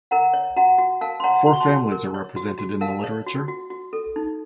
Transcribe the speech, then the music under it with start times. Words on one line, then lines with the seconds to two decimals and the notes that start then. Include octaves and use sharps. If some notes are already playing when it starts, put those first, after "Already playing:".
Four families are represented in the literature.
0.11 A#4 F#5 A#5
0.34 C#5
0.56 F#4 F#5 A#5
0.78 F#4
1.01 A#4 F5 A5
1.20 C6
1.24 C#5 F#5 A#5
1.46 F#4 C6
1.53 C#6
1.60 A5 C6
1.68 F#4
1.92 A#4
2.14 C#5
2.36 F#4
2.59 F#4
2.81 A#4 F5 A5
3.04 C#5
3.26 F#4
3.48 F#4
3.70 F#4
3.93 A4
4.16 D#4